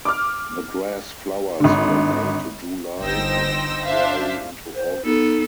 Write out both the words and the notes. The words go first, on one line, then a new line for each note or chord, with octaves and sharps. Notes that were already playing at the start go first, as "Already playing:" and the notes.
The grass flowers from May to July and rarely into August.
D6 F6
G#1 D3
G1 D#4 C5 G5 E6 A#6
D4 C5 E5 F5
C5
B3 D#4 A4